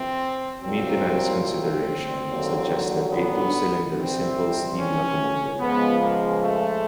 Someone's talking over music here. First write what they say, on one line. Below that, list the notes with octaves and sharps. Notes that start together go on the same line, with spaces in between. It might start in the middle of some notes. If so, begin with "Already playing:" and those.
Maintenance considerations suggested a two-cylinder simple steam locomotive.
Already playing: F2 C3 E3 C4
C2 A#2 F#3 C4
C4
D#2 D3 F#3
B3
C2 C3 E3 G3 C4
C#4
C#2 C#3 F3 G#3 B3
A#3
A3